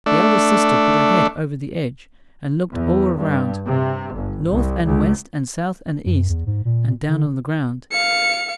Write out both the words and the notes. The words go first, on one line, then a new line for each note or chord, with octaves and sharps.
The eldest sister put her head over the edge, and looked all around, north and west and south and east and down on the ground.
A3 D4
E2
G2
C3
G1
C2
C#2
F#2
E2
G#2
A#2
D3
F5 C#7